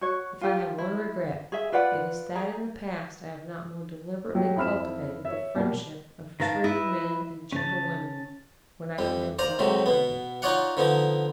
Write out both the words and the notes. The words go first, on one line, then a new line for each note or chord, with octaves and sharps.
If I have one regret it is that in the past I have not more deliberately cultivated the friendship of true men and gentle women when I have had the opportunity.
F#4 C#5
F4 G4
E4
G#4 E5
F4 B4 D5 F#5
G#4 D5 A#5
F#3 G4
F2 E4 B5 F6 E7
C#5 E5
B2 G3 A#3
D#3 A#4 B4 F5 A5
E4 B4 D#5 E5
C#3 C#4 A5
F2 G3
C5 D5 F5 A#5
A2 C3 F#3 G#3
B2 B3
D#4 F4 C#5 D5 F5 F#5
D3 F3 B3 D#4